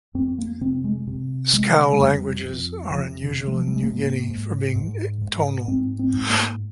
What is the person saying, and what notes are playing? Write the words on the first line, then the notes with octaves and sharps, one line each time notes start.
Skou languages are unusual in New Guinea for being tonal.
F2 C4
A#3
C3 C4
G#3
C3
C3 G#3
G#3
F2 G3
F2
C3 F3
D#3
C3
G3
F3
G3
G#3
G#2 A#3
G#2
G#2
G#2
G#2 C4
C4
G#2
A#3